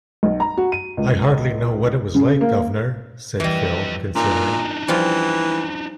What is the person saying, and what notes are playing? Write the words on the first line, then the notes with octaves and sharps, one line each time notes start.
"I hardly know what it was like, guv'nor," said Phil, considering.
B1
A#5
F#4
D#7
C#2
C#3
A#3
F2 E3 G3 D#5
A#2 D4 D#4
E3 F3 G3 F4